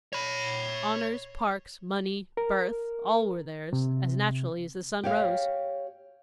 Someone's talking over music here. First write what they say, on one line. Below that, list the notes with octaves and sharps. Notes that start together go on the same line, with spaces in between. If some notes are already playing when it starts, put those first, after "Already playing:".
Honors, parks, money, birth--all were theirs, as naturally as the sun rose.
C#5 B5
A#4
C3
G4 C#5 F5